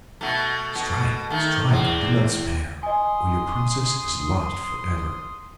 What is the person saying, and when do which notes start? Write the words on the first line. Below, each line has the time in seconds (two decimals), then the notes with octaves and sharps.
"Strike! strike! and do not spare, or your Princess is lost for ever!"
0.21 B2 A3
0.75 B2
1.30 D#3 A3
1.69 E2 C4
2.83 D#5 G#5 C6 D#6